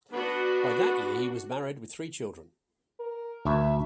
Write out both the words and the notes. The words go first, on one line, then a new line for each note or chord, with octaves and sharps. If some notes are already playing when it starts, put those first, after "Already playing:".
By that year he was married with three children.
B3 D4 F#4
A#4
D2 E5